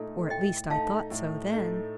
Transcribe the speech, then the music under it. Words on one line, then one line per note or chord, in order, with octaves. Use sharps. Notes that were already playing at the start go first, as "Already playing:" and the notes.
Or at least I thought so then.
Already playing: A#2 A3 D#4 A4
A2 D#5 G5
A3 D#4 F5 A5
A2
A3 D#4